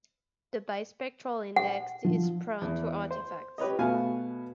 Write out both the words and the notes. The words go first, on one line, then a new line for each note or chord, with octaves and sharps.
The bispectral index is prone to artifacts.
F#5
F3
E2
C5
G4 B4 C#5 D#5
B2 A3 B3 F#4 F5 G#5